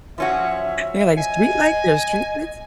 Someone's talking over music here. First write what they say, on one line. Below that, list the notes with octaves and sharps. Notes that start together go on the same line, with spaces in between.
They're like "Street lights? There's street lights?"
F3 C#4 F#4 E5
D#5 G#5